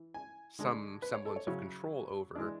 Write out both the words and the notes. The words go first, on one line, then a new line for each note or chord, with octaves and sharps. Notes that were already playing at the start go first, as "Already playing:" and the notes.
some semblance of control over,
Already playing: E3
G#5
D3 G#3 D4
B4
C#5
A4
C#5
C#3 F#3 C#4 E4
E3 G#3 D4 D5